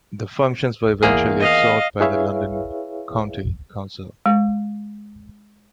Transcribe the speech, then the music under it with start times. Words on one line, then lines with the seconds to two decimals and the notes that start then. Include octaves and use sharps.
The functions were eventually absorbed by the London County Council.
1.03 E2 A#3 G#4
1.40 D#5 F5
2.00 E4 G#4 B4 C#5 E5 F5
4.26 G#3